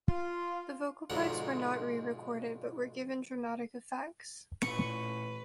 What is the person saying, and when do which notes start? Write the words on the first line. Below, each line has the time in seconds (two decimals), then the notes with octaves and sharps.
The vocal parts were not re-recorded, but were given dramatic effects.
0.08 F4
1.10 B1 G#2 D3 F3 G#3
4.62 A1 A#2 B4 C#6